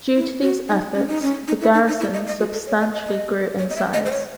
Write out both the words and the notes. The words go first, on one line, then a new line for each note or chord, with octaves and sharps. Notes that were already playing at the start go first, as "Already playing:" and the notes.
Due to these efforts, the garrison substantially grew in size.
E4
F#4
D#4
C#4
D#4
C#4
D#4
E4
D#4
D#4
E4
D#5
D#5
F#4
A4
C#5
D#5
D#5
D#5
C#5
D#5
E5
D#5
C5
C#5